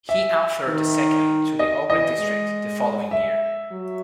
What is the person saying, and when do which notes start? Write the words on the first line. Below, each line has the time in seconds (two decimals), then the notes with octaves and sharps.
He authored the second, to the Ogwen District, the following year.
0.09 E5
0.68 D#3
1.59 D#5
1.90 E3 D#5
2.19 G#3
3.11 E5
3.72 F#3